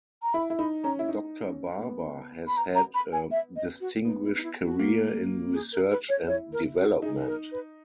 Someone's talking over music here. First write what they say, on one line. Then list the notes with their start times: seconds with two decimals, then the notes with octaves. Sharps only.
Doctor Barber has had a distinguished career in research and development.
0.23 A#5
0.34 E4 B5
0.50 E4
0.59 D#4 B5
0.84 C#4 A#5
0.99 E4
1.09 D#4
1.46 C#4
1.78 A#3
1.82 B3
2.48 B5
2.57 A#5
2.75 A#5
2.94 B5
3.13 G#5
3.31 E5
3.56 D#5
3.80 F#4
4.05 B3 D#4
4.24 E4
4.36 D#4
4.43 E4
4.61 F#4
4.79 A#3
5.54 G#4
5.73 A#4
5.91 B4
6.09 C#5
6.28 E4 C#5
6.53 A#4
6.77 F#4
7.02 D#4 G#4
7.27 A#4
7.52 B4